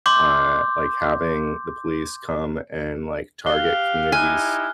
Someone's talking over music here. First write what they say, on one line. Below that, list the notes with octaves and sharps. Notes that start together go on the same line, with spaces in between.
uh, like, having the police come and, like, target communities
C6 D6 G6
G4 F5 F#6 C7 G7
D#4 E4 G4 G#5 F6 F#6